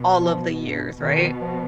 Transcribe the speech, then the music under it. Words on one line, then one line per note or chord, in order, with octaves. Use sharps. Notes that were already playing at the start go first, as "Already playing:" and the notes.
all of the years, right,
Already playing: B2
F3
G2
B2 D#3
F3